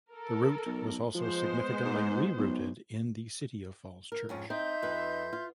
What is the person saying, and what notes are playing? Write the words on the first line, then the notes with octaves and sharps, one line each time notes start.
The route was also significantly rerouted in the city of Falls Church.
A4 A#4
B1
F3 G#3 B3 C5
G#2
B1
A#4
F2 G#2 C#4
C4 D#4 E5 C6 G6
F2 B4
F4